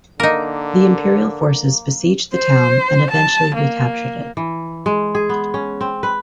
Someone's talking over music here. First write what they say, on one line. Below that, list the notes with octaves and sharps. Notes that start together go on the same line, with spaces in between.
The imperial forces besieged the town and eventually recaptured it.
D3 A#3 D#4 A#4
C5
A5
A#3
E3
G#3
G#4
B3
C#4
C4
B4